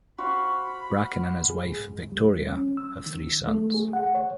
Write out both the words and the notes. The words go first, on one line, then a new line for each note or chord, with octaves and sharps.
Bracken and his wife, Victoria, have three sons.
F#4 C5 F5 B5
G#4
G#2
D2
G3
C#4
E6
D#3
A3
G#4
F#5
C#5